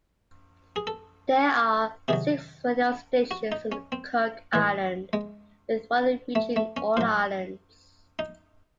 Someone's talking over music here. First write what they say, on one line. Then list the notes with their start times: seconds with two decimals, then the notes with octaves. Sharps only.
There are six radio stations in the Cook Islands, with one reaching all islands.
0.76 G#4
0.87 A4
2.08 C3 D#3 F#3 G#4
3.31 F#4
3.52 D#4
3.72 C#4
3.92 C4
4.53 A2 E3
5.13 G#3
6.35 A3
6.56 A3
6.77 C#4
6.97 A2 F#3 C5
8.19 D#4